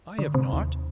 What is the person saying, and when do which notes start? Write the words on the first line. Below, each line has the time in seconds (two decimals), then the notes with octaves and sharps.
"I have not."
0.18 D3
0.34 C3
0.53 D#2